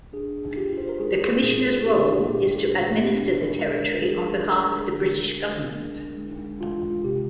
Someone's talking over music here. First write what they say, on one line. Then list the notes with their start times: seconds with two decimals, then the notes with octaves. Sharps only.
The Commissioner's role is to administer the territory on behalf of the British government.
0.13 D4 G#4
0.56 F4 G4
0.78 C5
0.89 A#4
0.99 G#3 G#4
1.42 A#2 G#4
1.86 D4 G4
1.94 G#4
2.01 G4
2.29 A#2 G4
2.73 G#3
3.01 G4
3.15 D4
3.30 A#4
3.59 G#3 A#4
4.02 G#3 G#4
4.45 D4
4.89 D3
5.31 D3
5.75 D4
6.17 G#3
6.61 G#3 F4
7.04 C3 G4